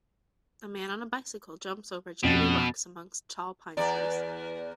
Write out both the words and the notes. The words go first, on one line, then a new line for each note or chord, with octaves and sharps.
A man on a bicycle jumps over jagged rocks amongst tall pine trees.
F2 B2 C#4 A6
E2 D5